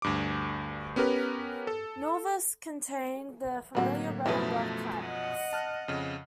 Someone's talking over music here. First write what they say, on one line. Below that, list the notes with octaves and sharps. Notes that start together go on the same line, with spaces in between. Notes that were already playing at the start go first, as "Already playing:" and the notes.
"Milvus" contained the familiar red and black kites.
D2 G2 D6
B3 C#4 G4 A#4 B4
A4
A2 D3 F#3 A#3 C4 F#4 B4
F#2 B2 E3 F3 A3 E4 B4
D#5 F#5
A5 F6 F#6
F2 C#3